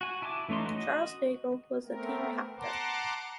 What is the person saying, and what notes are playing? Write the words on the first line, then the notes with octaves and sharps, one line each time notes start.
Charles Nagle was the team captain.
F#4 G#5
E4 G#5 A5 C6 D6
E3 A3 C#4 D#4 C6
F#4 D#5
A3 B3 C4 A#4
F#5 A5 A#5 C6 D6